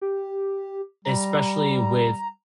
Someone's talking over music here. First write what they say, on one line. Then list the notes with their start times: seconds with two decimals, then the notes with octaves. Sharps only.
especially with
0.02 G4
1.05 G3 A#5